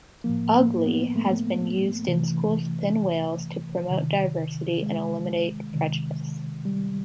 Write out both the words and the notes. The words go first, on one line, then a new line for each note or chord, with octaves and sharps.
"Ugly" has been used in schools within Wales to promote diversity and eliminate prejudice.
A2 F3 A#3
A#3
B3
A3
C3 E3
C3 D#3
G#3
C3 D#3
G3